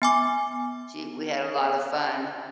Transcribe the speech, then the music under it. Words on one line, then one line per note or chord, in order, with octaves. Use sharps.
She we had a lotta fun.
B3 G#5 D6